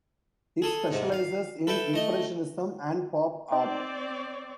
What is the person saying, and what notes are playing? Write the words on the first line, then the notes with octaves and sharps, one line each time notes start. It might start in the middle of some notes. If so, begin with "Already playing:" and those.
It specialises in Impressionism and Pop art.
G#4 A4 D#6
G#2 C3
F5
A4 B4 E5 G5
A3 D#5
C4 D#4 D5